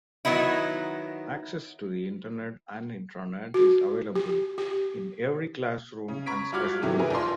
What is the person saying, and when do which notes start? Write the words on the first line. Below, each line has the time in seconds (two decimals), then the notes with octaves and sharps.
Access to the Internet and Intranet is available in every classroom and special room.
0.25 D#3 F#3 B3 D#4 E4
3.54 F#4
4.16 G4
4.58 G4
6.08 C#3
6.26 A#5 B5 C#6 G#6 B6 D7
6.52 G2 F4 F#4 D6 F6 G#6
6.82 G#2 C3 D#3 E3 F#3 A3
6.99 E4 G#4 A#4 B4
7.10 A#1 F3 F4 C6